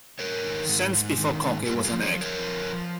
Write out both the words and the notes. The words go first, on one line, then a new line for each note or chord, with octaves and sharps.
Since before cocky was an egg.
G#2 A#4 C#5
D#3
G#2
G#2
D#3
G#2
G2 G4 A#4
F4 G#4
F3
G#4 C5
F3
A#4 C#5
F3
F3